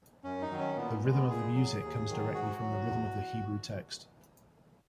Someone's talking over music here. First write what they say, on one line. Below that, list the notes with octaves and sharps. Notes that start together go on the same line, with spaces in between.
The rhythm of the music comes directly from the rhythm of the Hebrew text.
F#2 C#4
D#4
D#3 F#3
C#4
A#2 B3
G#3
B3
A#2 G#4
F#3
D#2
D#3 F#3
G#2 F#4
F#3
E2